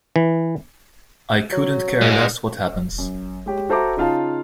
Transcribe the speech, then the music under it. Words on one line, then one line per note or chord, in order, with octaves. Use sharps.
I couldn't care less what happens.
E3
F#3
G#2 G#3
F#2
G#3 G4 C#5
F#4 A4 C5 E5 A#5 D6
C#3 D#4 F4 F5 A5